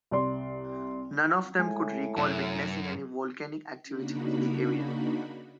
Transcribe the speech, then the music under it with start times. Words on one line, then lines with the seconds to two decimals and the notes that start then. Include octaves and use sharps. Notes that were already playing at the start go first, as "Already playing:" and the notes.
None of them could recall witnessing any volcanic activity in the area.
0.11 C2 D5 C6
1.59 A2 G#3 G#5
2.17 F#2 C3
3.88 C#3 A#3 D4 D#4 F#4 B5